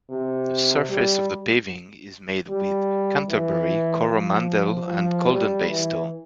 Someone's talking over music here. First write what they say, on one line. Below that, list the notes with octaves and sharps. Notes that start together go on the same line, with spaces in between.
The surface of the paving is made with Canterbury, Coromandel and Golden Bay stone.
C3
G3
G3
E3
F3
F3
G3
E3